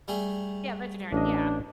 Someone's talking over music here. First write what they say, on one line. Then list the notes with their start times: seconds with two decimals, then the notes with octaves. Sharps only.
Yeah, vegetarian, yeah.
0.08 G3 A3 G#4
1.13 A1 D4 D#5